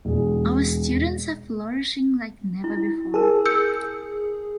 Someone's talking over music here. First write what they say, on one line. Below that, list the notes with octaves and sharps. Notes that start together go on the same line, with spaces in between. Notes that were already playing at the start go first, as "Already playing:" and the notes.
Our students are flourishing like never before.
E1 G#4
E4
G#4 A#4 A5
E6 G6 C#7